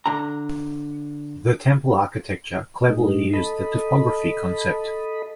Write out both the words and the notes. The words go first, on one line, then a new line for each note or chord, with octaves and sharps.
The Temple Architecture cleverly used the topography concept.
D3 A#5
A2 G#3 D#4
A4 D#5 B5